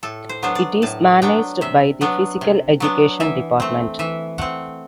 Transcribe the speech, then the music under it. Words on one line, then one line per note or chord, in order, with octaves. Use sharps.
It is managed by the Physical Education department.
A2 A4
C5
F#3 B3 D4 C5
D5
A2 A5
F#3 B3 D4 G5
C3 E5
F#3 B3 D4
C3
F#3 B3 D4
E3 E5
A3 C4
E3 E5
A3 C4 F#5